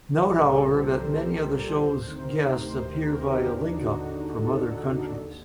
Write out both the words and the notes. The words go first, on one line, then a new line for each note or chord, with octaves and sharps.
Note however that many of the show's guests appear via link-up from other countries.
C2 G4
A#2 A4
C2
C5
A#2 A#4
C2 C5
A#2
C2 A#4
A#2
D2 C5
C3 D#3
A#4
D2 C5
C3 D#3
D2 C5
C3 D#3
D2 A#4
G4
C3 D#3
D#2 D4
D#4
D3
F#4
D#2
D3
D#2 A4
D3
D#2
D3
D#2